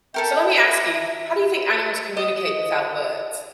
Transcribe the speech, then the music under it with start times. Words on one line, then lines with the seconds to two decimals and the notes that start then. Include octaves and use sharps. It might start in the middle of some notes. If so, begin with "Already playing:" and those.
So, let me ask you, how do you think animals communicate without words?
0.14 A4 A#4 E5 G5
2.17 D#5